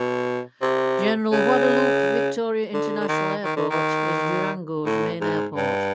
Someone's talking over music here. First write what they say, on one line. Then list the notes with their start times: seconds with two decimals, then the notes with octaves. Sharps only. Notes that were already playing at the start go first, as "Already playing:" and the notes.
General Guadalupe Victoria International Airport is Durango's main airport.
Already playing: B2
0.62 C3
1.32 C#3
2.74 D3
3.01 D3
3.09 D#3
3.44 D#3
3.57 D3
3.70 D#3
4.86 A2
5.21 G#2
5.56 G2